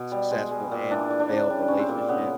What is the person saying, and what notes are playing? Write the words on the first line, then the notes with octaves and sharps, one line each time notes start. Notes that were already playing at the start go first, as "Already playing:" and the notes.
successful and failed relationships,
Already playing: B2
G3
G#3
G#3
A#2
E3 D4
E3
D4
C#3
G3
G3 C#4
C4
A#2
C#3 B3